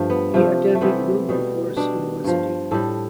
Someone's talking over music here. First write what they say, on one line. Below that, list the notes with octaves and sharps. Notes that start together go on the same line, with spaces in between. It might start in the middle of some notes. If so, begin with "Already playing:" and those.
He attended Wilberforce University.
Already playing: G2 F3 A3
B3
C3 F3 A3
A3
C3 E3 G3 B3
B2 G3
B2 G3 D4
G2 F3
A2 G3 A4